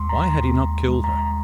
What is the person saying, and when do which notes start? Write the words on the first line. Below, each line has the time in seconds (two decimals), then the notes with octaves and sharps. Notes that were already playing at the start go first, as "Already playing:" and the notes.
Why had he not killed her?
Already playing: D#2 G#3 C6
0.09 A#5
0.40 D#2 A#5
0.88 G#3
1.04 A#5